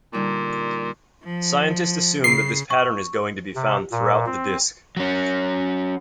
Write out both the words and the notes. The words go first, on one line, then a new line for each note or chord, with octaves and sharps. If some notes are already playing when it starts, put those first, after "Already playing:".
Scientists assume that this pattern is going to be found throughout the disk.
A#2 D3 G3 D#4
F3
C#3 C7
C#6
C3
A#2
C4
F#3 C#4